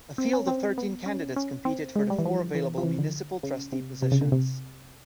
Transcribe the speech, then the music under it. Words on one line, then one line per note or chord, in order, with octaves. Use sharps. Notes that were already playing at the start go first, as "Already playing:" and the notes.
A field of thirteen candidates competed for the four available municipal trustee positions.
C4
C#4
C4
B3
C#4
C#4
C4
G#3
G3
E3
F3
E3
F3
E3
D3
C#3
C3
C3
C#3
D3
C3